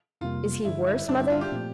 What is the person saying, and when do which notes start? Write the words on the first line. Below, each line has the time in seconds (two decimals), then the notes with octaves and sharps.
"Is he worse, mother?"
0.21 F2 C3 G3 A#3 F4
0.65 G2 D3 G3 E4
0.87 E4
1.08 G2 D3 G3 D4
1.19 E4
1.30 F4
1.41 G4
1.52 A#2 F3 A3 C4